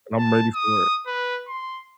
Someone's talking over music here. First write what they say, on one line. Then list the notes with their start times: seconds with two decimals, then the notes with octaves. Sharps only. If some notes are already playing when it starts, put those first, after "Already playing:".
I'm ready for it.
0.18 A5
0.54 D#6
1.07 B4
1.48 C6